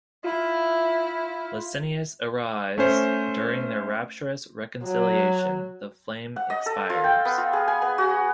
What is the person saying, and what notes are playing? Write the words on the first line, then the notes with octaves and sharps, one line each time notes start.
Licinius arrives; during their rapturous reconciliation, the flame expires.
E4 F4
A3 C#4 C5
F#3
F#5
D#5
A4
F4
G5
B3
F4
G#4
G#5
B3
F#4